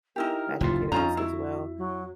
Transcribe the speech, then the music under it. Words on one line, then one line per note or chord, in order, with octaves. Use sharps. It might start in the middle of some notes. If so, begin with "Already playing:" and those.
mashed potatoes as well,
D#4 E4 G4 A#4
F#1 D2 A2 F4
F2 C#4 D#4 F4 A#5
E4 F#4
F#3